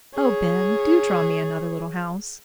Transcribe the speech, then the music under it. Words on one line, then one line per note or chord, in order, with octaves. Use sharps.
"Oh, Ben, do draw me another little house!"
G#4 C#5